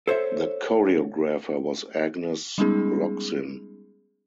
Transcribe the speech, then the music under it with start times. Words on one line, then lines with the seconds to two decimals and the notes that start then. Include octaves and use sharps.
The choreographer was Agnes Locsin.
0.07 A4 C5 C#5 E5
2.58 G3 G#3 B3 C#4 D#4 G#4